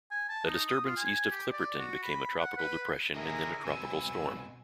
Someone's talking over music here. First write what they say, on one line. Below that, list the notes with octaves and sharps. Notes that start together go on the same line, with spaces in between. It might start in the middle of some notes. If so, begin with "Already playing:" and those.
A disturbance east of Clipperton became a tropical depression and then a tropical storm.
G#5
A5
D#4
D#6
F4
G#5
G4
D5
F#4
B5
F#5
B4
D3 E4 G#4 A#4 D#5 G#5
C2 B2 E6